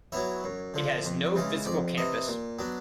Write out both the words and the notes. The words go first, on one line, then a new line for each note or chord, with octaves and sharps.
It has no physical campus.
F#3 B3 E4 C#5
F#2
D3 F3
F2
C#3 E3 G#3 C#4
F2 D5
C3 E3 D#5
A#2
F#3 B3 D4